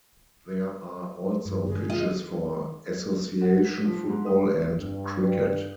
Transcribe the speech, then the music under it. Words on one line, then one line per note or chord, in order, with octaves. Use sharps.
There are also pitches for Association Football and cricket.
G2
G2 D3 G#3 G#4
F3 F4 D#5
F#4
B6
F3
G#2
D#6
G2